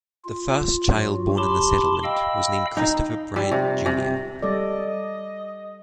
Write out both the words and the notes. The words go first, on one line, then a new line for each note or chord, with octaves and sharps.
The first child born in the settlement was named Christopher Bryant Jr.
F4
G2 F#3 F4 F#4
G4 A5 B5 C6 D6
D#5 F5 G5 B5 E6
D#4
G3
C3
C3
G3 A4 D5 D#5